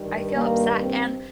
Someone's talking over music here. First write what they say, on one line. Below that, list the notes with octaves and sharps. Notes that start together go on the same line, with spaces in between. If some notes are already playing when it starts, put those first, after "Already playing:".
I feel upset and
Already playing: G2 D#3 G3
A#3
C4